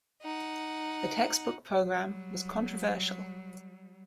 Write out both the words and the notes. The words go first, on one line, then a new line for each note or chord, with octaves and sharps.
The textbook program was controversial.
D#4 F#5
F#3 G3